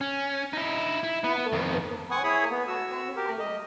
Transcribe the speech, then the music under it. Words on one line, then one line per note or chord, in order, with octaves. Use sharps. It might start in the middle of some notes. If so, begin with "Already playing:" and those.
Fogo is a hotspot volcanic island.
C#4
D#4 E4
E4
B3
F2 D#3
F#5 G#5 C#6 D#6
E4 G#4 C#5 B5 D#6
B3
F#4 E6
G4 A#4
D#5